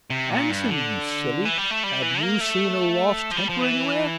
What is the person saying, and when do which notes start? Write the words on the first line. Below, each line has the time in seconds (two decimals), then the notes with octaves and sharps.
Answer me, you silly, have you seen a lost temper anywhere?
0.10 C3
0.30 A#2
0.49 G2
0.68 D3
1.45 E3
1.58 G3
1.71 A3
1.84 G3
2.02 E3
2.21 A#3
2.41 A3
3.31 F3
3.37 G3
3.49 F3
3.62 E3